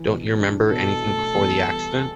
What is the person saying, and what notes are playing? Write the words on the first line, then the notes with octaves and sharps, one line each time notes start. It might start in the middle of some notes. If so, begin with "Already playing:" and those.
Don’t you remember anything before the accident?
Already playing: E3
B2
D4
B2 A4
A3
E2
G3